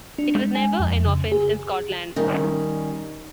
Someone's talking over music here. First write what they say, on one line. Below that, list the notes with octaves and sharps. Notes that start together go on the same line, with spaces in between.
It was never an offence in Scotland.
D4
G#3
G#5
F2
C#3
G#4
D#3 G3 C#4